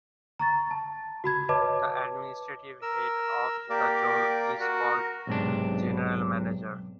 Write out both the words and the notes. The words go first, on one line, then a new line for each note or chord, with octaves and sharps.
The administrative head of the zone is called General Manager.
A#5 C#6 A6
A5
F#4 B5 G#6
B4 C#5 D#5 A5 D6
A#4 E6
A#3 G4 A#4 D5
F#4 A#4
B1 G#2 C3 D4